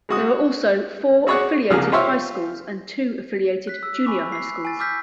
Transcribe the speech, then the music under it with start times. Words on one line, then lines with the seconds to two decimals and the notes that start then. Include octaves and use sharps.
There are also four affiliated high schools and two affiliated junior high schools.
0.09 G#3 F#4 D#6
1.27 F#4 G#4 C#5 D5 F#5
1.70 C2 C#3 F3 A#3 G#4 F6
1.92 F4 G4 C5 C#5 E5 F5
3.67 F#6 B6
3.83 E6
4.06 G#5 B5 C#6 D6
4.32 C7
4.65 G#5 A6
4.80 D6 E6 F6 G6 B6